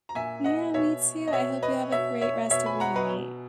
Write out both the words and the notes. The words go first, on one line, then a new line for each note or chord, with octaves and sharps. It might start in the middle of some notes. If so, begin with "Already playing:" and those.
Yeah, me too. I hope you have a great rest of your night.
A#5
A#2 E5 G#5
D#5 F#5
B2 C#5 E5
D#5
B2 C#5 E5
B4 D#5
B2 C#5 E5
C#5 E5
B2 C#5 E5
G#5 B5
F#5 A#5
B4 D#5
B2